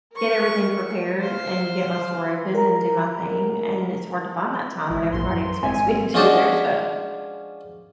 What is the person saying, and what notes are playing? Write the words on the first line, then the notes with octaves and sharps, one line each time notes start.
get everything prepared and get my store open and do my thing, and it's hard to find that time when everybody expects me to do their stuff.
A#4 C#6
C5 F5
A#4 A#5
G#1 E4
A#1 A2 C6
F#2
G#1 G#2 C4 G#5
F3 G#3 C#4 D4 F#4 C5